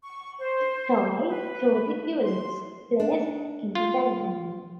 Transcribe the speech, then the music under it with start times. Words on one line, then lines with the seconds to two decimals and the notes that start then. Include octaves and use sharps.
"Tiptoe Through the Tulips" plays in the background.
0.03 C#6
0.38 C5
1.28 B4
2.23 C6
3.00 D4
3.75 F4